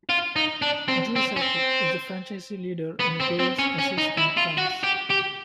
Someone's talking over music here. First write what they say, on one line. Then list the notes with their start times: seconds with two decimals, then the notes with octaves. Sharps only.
Joe Sakic is the franchise leader in goals, assists and points.
0.09 F4
0.36 D#4
0.62 D4
0.88 C4
1.16 C4
1.36 C#4
1.41 C4
2.99 B3
3.20 C4
3.39 C4
3.59 C#4
3.79 C#4
3.98 D#4
4.18 E4
4.37 F4
4.58 F#4
4.84 G4
5.10 G4